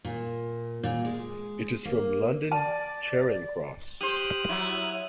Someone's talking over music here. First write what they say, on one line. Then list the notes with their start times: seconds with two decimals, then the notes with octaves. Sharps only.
It is from London Charing Cross.
0.05 A#2
0.83 A#2
1.05 G#3
1.85 A#3
2.52 D5 A5
4.01 G4 C5 D#6 F6 F#6
4.49 F#3 E4